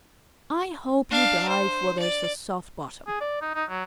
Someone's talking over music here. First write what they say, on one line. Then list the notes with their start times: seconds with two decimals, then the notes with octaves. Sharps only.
"I hope you dive where there is a soft bottom."
1.11 D4 F5
1.49 C5
1.99 D5
3.07 G#4
3.20 D5
3.41 D#4
3.55 D#4
3.69 F#3